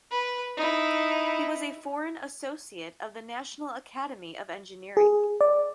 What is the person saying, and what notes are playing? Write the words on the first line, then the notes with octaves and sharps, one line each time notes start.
He was a Foreign Associate of the National Academy of Engineering.
B4
D#4 E4
G#4
D5